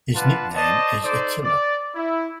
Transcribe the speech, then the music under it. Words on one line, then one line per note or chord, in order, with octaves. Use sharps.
His nickname is "Attila".
D4 F4 B4 F#5 A5
C5 D5 D#5 A5
D#4 A4 C5 D5
D5
E4